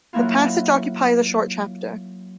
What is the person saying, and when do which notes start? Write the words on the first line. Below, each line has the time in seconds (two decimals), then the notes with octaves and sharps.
The passage occupies a short chapter.
0.13 F#3 A#3 E4 F4